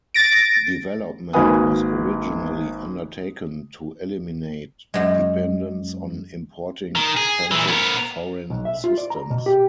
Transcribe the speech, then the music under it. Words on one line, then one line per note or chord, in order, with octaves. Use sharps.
Development was originally undertaken to eliminate dependence on importing expensive foreign systems.
A6 A#6 D7
G#1 A#3 F#4 B4 G#5 D#6
F#2 G#3
D#3
G#4
A#2 E3
B3 A#4
B1
E5
F4
D5
A#5
B2
G4